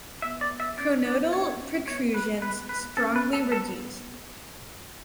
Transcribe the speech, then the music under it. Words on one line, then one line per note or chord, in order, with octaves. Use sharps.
Pronotal protrusions strongly reduced.
B3 E5
D5
E5
C#4 D5
D4 D5
D4 C#5
C#4
A3
B3 C#5
B4
B4
B4
C#4 A4
B4
A4
A3
B3 A4